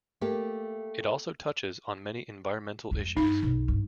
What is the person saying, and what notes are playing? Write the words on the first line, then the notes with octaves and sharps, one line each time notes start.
It also touches on many environmental issues.
A3 A#3 G4
F2 G#3
G2 D#4
B1 F#2
G#1 G2